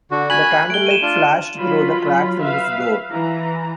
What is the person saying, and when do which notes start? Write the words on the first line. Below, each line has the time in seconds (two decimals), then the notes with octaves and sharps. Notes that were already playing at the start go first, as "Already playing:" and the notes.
The candlelight flashed through the cracks in his door.
0.11 D3 F#4
0.30 G#5 B5 F#6 F#7
0.70 A3 D7 G7
0.87 D#7 E7
1.02 D4 F4
1.58 F#3 F4 B5
2.40 B4 E5 F5
3.11 E3 A#5